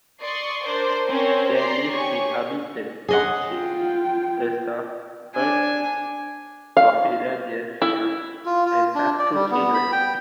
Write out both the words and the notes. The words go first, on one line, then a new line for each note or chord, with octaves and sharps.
They live in Abington Township, a suburb of Philadelphia, and have two children.
D5 C6 C#6 D#6 C7
D4 A#4 C5 D5
C4 C#4 A#4 C5 C#5
D5 A#5 C6 C7
G4 C#5 G#5 C#6
G#4 D#5 F#5
F4 G5
D4 G#5
F5
E4
F4
F4
D4
D5
G3
B3
B5
G5